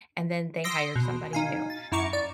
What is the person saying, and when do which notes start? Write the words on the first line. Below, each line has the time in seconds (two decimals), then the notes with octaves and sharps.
and then they hired somebody new
0.64 C6 D#6 E6 A#6 C7 D7
0.96 B2
1.33 D#4 F5 G#5
1.70 A6
1.92 F#2 E4 A#5 C#6 D6 C#7
2.13 D5